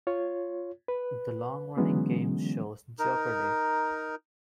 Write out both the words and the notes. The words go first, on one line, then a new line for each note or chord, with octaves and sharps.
The long-running game shows Jeopardy!
F4 C#5
B4
D3 E3 F#3 G#3 B3 C#4
D#4 A#4